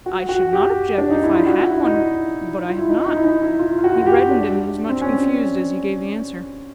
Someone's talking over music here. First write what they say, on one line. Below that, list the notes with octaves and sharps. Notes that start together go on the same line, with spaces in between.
'I should not object, if I had one; but I have not.' He reddened and was much confused as he gave the answer.
F#4
F#4
G4
D4
D#4
E4
F4
F#4
E4
D#4
E4
F4
E4
D#4
D#4
E4
D#4
E4
F4
F4
F#4
F#4
G4
D4
C4
C#4